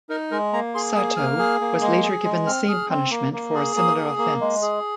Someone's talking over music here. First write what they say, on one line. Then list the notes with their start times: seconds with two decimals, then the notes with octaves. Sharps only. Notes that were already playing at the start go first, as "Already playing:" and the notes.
Sato was later given the same punishment for a similar offence.
0.10 D#4 A#4
0.31 G#3 A#4
0.53 A#3 A#5
0.75 G#4 C6
0.95 A#3 D#6
1.17 A#3 F6
1.39 G#4
1.61 A#3
1.82 G#3
2.03 G#4
2.24 G#3
2.47 C4 F6
2.68 G#4
2.90 C4
3.11 A#3
3.33 A#3
3.55 G#4
3.76 A#3 D#6
3.97 G#4
4.18 A#3
4.41 G#3
4.62 G#4